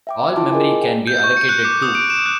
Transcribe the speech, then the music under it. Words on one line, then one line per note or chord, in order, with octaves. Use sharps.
All memory can be allocated too.
E5 G5 D6
E4 F4 G5 A5 C6 D6
G#4 A#4 D#5 G#5
G5
G6
C#6
C#7
F#6
D6
D#6
D7
E7
F#6